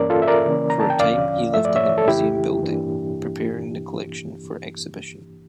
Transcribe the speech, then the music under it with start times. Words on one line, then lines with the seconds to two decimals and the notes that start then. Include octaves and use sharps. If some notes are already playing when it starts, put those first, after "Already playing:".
For a time he lived in the museum building, preparing the collection for exhibition.
Already playing: G2 E3 A#3 C#4 A#4 D5
0.10 F4 A4
0.22 E5
0.28 A#4 D5
0.46 C#3 E3 A#3 C#4
0.70 A#5
0.80 A5
0.90 G5
1.00 E2 D3 F3 C#4 D5 F5
1.54 G2 F3 A3 E5
1.65 D5
1.76 C#5 E5
1.98 A4
2.08 F2 C#3 E3 A3 E4 G4
2.62 G2 E3 A#3 D4